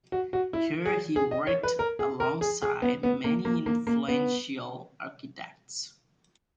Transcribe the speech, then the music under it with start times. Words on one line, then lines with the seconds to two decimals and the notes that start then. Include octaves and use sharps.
Here he worked alongside many influential architects.
0.12 F#4
0.33 F#4
0.53 E4
0.86 G#4
1.16 G#4
1.31 D#5
1.47 C#5
1.63 B4
1.79 A#4
1.99 G#4
2.20 A#4
2.41 G#4
2.62 G#4
2.82 B3
3.03 B3
3.24 A#3
3.45 A#3
3.66 A#3
3.87 A#3
4.08 B3